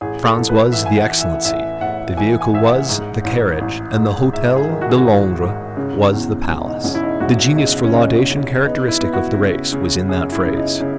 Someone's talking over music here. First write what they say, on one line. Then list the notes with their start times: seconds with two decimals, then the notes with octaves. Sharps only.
Franz was the "excellency," the vehicle was the "carriage," and the Hotel de Londres was the "palace." The genius for laudation characteristic of the race was in that phrase.
0.01 A1 G#4
0.24 A4
0.37 A1
0.49 B4
0.72 E3 E5
0.86 G#5
0.97 F#5
1.09 E3
1.20 E5
1.45 A1 E5
1.81 A2 F#5
2.17 E3 G#5
2.41 G#5
2.53 A1 E5
2.65 F#5
2.89 G#2
3.24 A1
3.61 A1
3.96 G#2
4.33 G#2 E5
4.56 G#4
4.69 D#3
4.81 F#4
4.90 G#4
4.98 F#4
5.05 A1
5.41 G#2
5.77 C#3
6.13 E2
6.49 E1
6.67 D#4
6.84 E1 C#4
6.95 E4
7.03 D#4
7.20 E1 F#4
7.56 C#3 D#4
7.84 C#4
7.92 C#3 D#4
8.29 C#3
8.65 B3 D#4
8.88 E4
9.01 B3
9.13 F#4
9.38 C#3
9.72 C#3
10.09 F#2 G#4
10.32 E4
10.45 C#3
10.57 D#4
10.80 C#3